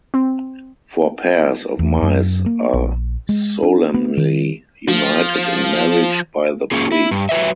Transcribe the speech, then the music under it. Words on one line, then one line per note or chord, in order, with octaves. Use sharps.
Four pairs of mice are solemnly united in marriage by the priest.
C4
E2
F#2
A#3
A#1
G#3
D4
B3
D#3
F3
A#3 C#4 F4 G#4
E4
G2
F#3 B4 D#5 E5